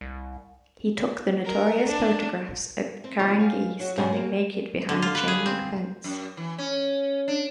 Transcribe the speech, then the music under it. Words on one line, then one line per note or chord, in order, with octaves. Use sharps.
He took the notorious photographs of Carangi standing naked behind a chain-link fence.
C2
A#4
D4
C4
D#2 C3 F3 G3 D#4 C#5
G#4 F5
F#3 F#4
G#2 B2 C#4 F#4 G#4 C5
A#3 C4 A#4
D3
F4
B4
G#4
C4
F#2
E3
C#4
D4